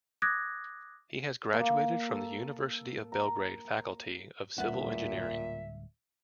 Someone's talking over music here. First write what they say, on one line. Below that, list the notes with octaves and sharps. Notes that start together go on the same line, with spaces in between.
He has graduated from the University of Belgrade Faculty of Civil Engineering.
D6 D#6 F#6 G#6 A#6
A#3
A4
A#5
D1 A#2 G3 B3 C#4 E5 F#5